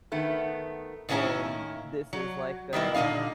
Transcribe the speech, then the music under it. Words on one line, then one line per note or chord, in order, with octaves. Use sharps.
and this is like a
D#3 A3 B3
A2 D#3 A#3 C#4 E4 A#4
F#3
D#3 G3 A#3 E4
A#2 D3 C#4 D#4 F5